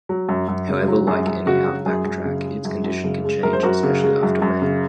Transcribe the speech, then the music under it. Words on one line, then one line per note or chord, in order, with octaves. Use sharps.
However like any outback track, its condition can change, especially after rain.
F#3
F#2
F#2
C#3
F#3
F#2 G#4
F#2
C#3 F#4
F#3
F#2 G#4
F#2
C#3
G#3
F#2
F#2
C#3
G#3
F#2 A#4
C5
F#2 F#4 A#4
C#3
G#3
F#2
F#2
C#3